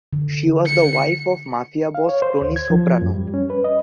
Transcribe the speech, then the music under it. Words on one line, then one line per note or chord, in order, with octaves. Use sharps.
She was the wife of Mafia boss Tony Soprano.
D3
C#7
F5
C#5
C5
D2
G#6
F3
F#2
G3
C#4
B4
D#5